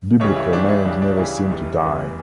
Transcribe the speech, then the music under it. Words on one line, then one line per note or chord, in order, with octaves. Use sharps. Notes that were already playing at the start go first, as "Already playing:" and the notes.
Biblical names never seem to die.
C#2 C#3 E3 G3 C#5
E4
C#2 C#3 E3 G3 D4
E4
C#2 C#3 E3 G3 D4
D4
C#2 C#3 E3 G3 E4
F1 E2 E3 G3
F1 E2 E3 G3